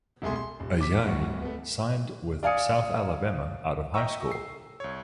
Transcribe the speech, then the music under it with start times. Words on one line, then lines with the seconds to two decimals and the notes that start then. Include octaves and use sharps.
Ajayi signed with South Alabama out of high school.
0.22 E1 C2 A3 G#4 C6
0.36 C6
0.60 D#1
0.81 D6 B6
1.03 D1 D2 G2 F#5 C#6
1.42 A3 B3
2.43 D5 F5 G#5 D#6 C#7
3.94 D#5 E5 G5 A#5 C#6 E6
4.31 C7
4.80 C2 C#5